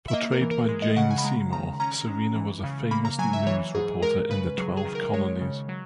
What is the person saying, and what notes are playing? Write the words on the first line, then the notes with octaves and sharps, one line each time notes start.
Portrayed by Jane Seymour, Serina was a famous news reporter in the Twelve Colonies.
E5
A#3 D#5
A#4
E3
A#4
G#3
D#5
C#3 F#5
G#5
B5
G#3 A#5
D#3 A#5
C#4 A#5
G#3
E3
C#3
A#3 B5
A#5
F#3 G#5
E5
E3 C#5
G#2 G#4
G#3 A#4
C#3 B4
F#3 G#4
G#4
D#3
A#4
G#3 C#5
C#3
F#3